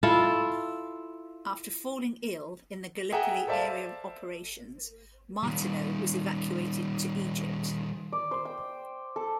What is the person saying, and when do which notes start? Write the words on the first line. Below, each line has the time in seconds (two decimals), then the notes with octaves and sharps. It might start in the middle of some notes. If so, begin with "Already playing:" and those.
After falling ill in the Gallipoli area of operations Martineau was evacuated to Egypt.
0.03 E4 F4 A4
3.12 G#4 E5 F#5 G5 A#5 D#6
3.47 A4 C5 D5 E5 F5 A5
5.43 D#3 G3
8.12 D5
8.31 C5
8.45 G5
9.16 A4